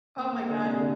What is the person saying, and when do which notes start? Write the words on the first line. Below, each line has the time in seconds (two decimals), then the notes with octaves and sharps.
Oh my god.
0.17 A#3
0.33 A#3
0.48 D3
0.64 C3
0.80 D3